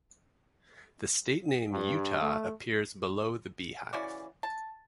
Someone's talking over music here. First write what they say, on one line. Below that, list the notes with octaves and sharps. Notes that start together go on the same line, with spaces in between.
The state name "Utah" appears below the beehive.
G2
A3
C#3 E3 F#4 D5
A5